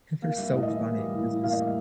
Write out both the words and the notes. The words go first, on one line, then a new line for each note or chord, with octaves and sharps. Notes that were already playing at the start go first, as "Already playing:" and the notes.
They're so funny. It's just
A#3 F5
G3 E5
A2 D#5
D#5
E3 E5
A#3
G3
A2
E3
A#3 F5
D#5
G3 E5